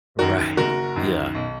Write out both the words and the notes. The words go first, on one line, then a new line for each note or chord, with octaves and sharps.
Right. Yeah.
F#2 D#3 F#4 A#4
F#1 F#4 A#4
F#2 D#3
B1